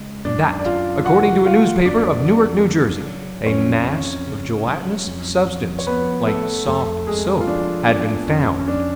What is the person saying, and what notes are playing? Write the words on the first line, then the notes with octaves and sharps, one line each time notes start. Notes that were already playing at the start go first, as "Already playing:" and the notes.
That, according to a newspaper, of Newark, N.J., a mass of gelatinous substance, like soft soap, had been found.
Already playing: C#3 G#3
F#2 D4 D5
D5
F#2 F4 F5
C#3 F#4 F#5
G#3 F4 F5
F2 D4 D5
F2
C#3
F#3
F2 C#4 C#5
F2
C#3
F#3
F2
F2
C#5
F3 B3 B4
A3 B3 A4
F2 A3 A4
F2 G#3 G#4
F4
F3 D4
B3 D4
F2 C#4
C#4
F2 D4